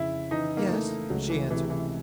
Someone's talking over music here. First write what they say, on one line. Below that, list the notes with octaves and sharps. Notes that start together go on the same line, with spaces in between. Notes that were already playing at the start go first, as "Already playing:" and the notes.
"Yes," she answered.
Already playing: F2 C#3 E4
E3 D#4
A#3
A3
C#2 F#3
E3
C3 E3
E3